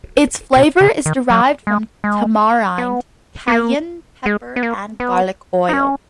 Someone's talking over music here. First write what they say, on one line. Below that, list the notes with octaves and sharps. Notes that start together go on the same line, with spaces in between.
Its flavour is derived from tamarind, cayenne pepper and garlic oil.
B2
C#3
D#3
F#3
G#3
G#3
B3
B3
A#3
G#3
B3
A#3
B3
D#4
C#4